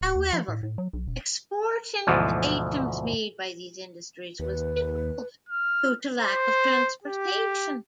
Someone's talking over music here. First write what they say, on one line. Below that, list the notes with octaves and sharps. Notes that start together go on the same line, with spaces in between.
However, exporting items made by these industries was difficult due to lack of transportation.
D1
D#2
F3
A2
A2
F#3
B1
E1
D2 G#2 B2 E3 F3
D#2 B4
F6
C5
G4